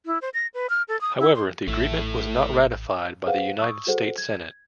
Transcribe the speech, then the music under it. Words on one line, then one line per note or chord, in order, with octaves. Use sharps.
However, the agreement was not ratified by the United States Senate.
E4
C5
A#6
B4
F6
A4
D#6
E4
C6
A1 A3 E4
G#4 B4 C5 F5 F#5
C#6 D#6 E6
F#4 G#4 A4 C5 F#5
G#6